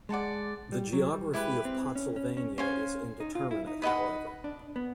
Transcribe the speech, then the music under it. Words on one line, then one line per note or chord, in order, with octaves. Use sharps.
The geography of Pottsylvania is indeterminate, however.
G#3 D5 F#5 A5
G3
F#3
G3
G#3 E4 G4 B4
C4
C#4
C#4
C#4
C#4 C5 F5 G#5
D#4
F4
E4
D#4
B4 D#5 F#5 B5
D4
B3